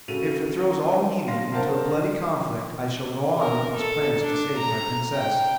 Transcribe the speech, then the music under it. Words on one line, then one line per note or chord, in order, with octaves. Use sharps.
If it throws all Helium into a bloody conflict, I shall go on with these plans to save my Princess.
C#3 F#4 A4 D#7 F7
F5 C6 A#6
D4 A#4 C5 F5 F#5 A5
A#4
A4
D4
A#5
G5